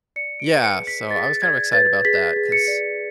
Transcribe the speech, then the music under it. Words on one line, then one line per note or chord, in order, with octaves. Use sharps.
Yeah, so, I was kind of excited about that 'cause,
D5 C#7
D7
B4
C#7
G#4
B6
G#4 A6
B6
A6
D5 G#6
B4 A6
G#4 B6
G#4
C#7
D5